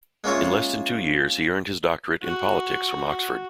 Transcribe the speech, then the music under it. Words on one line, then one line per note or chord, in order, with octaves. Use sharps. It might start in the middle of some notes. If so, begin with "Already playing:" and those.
In less than two years he earned his doctorate in politics from Oxford.
G#3 A#3 C#4 F4 C#5 E5
F#4